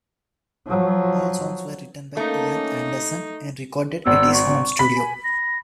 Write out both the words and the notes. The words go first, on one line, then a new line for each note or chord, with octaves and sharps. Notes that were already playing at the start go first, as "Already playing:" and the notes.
All songs were written by Ian Anderson and recorded at his home studio.
F3 F#3
A3 A#3 C#4 D#4
G#1 B2 E6
C#6
B5 B6
G#5
A#6